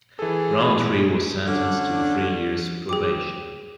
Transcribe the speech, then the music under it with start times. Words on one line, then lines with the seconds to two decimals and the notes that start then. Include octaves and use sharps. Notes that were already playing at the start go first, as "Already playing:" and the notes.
Rountree was sentenced to three years probation.
0.19 E3 G#4 A4
1.45 D3 C#4 D4
2.89 G#4 G5 D6